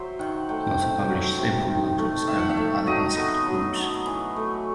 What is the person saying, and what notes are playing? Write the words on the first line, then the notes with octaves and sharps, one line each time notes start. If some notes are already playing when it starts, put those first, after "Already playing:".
He also published several works of his own on other insect groups.
Already playing: F#3 C5 E5
D#3 F#5
A3 G5
C3
F#3
C3
D#3
A3
D#3 E5
F#5
E5
A3
F#3 D#5
B3
F#3
B3
E3
A3